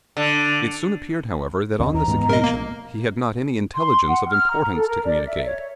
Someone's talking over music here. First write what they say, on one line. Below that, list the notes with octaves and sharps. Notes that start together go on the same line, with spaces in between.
It soon appeared however, that on this occasion he had not any intelligence of importance to communicate.
D3
D#2 D3 C#4 D#5
D#2 E3 A#5
G#2 G#3 B3
B2 F3 A#4 D#5
A#3
C6
F#5
F6
A#5
A4
A#4
D5
E5
C#5